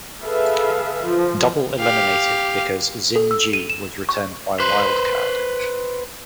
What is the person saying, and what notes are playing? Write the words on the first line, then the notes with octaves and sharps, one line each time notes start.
Double eliminated because Zin Gyi was returned by Wild Card.
G#4 A4 B4 E5 F5
F3
G4 F5
A4
E6
D#7
E7
C#6
B4 C5